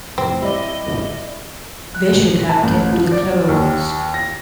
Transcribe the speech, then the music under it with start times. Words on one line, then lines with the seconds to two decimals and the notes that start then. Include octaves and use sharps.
They should have kept to the clever ones.
0.18 F2 A2 C3 C4
0.42 G3 E4 D5 D#5
1.94 F#6
2.49 A5
2.63 A1
2.93 F3
3.12 D5
3.48 D#2
4.14 A#6